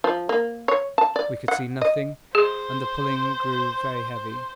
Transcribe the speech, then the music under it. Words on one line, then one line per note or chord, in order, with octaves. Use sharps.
We could see nothing, and the pulling grew very heavy.
F3
A#3
C#5
A5
D5
F#5
D#5
G#4 C5